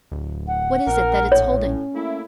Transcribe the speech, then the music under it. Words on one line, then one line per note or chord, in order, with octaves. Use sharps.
"What is it that it's holding?"
D1
F#5
A#1 A#4
A2 C#5
C#4
A3 A#3 E4